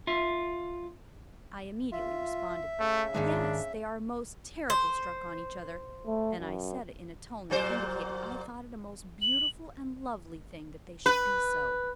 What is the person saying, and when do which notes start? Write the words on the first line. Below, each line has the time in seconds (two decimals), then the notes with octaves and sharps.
I immediately responded, "Yes, they are most terrible struck on each other," and I said it in a tone that indicated I thought it a most beautiful and lovely thing that they should be so.
0.07 F4 E5
1.92 F4 E5
2.80 C#3 A3
3.14 G#2 D#3 G#3 D4
4.70 C5
6.06 A3
6.38 F#2
7.50 A#2 F#3 C5
9.22 F#7
11.06 B4